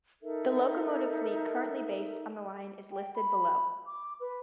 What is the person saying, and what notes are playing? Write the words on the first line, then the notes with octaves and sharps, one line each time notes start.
The locomotive fleet currently based on the line is listed below.
D#4 A4 A#4 E5
G5
B5
D6
B4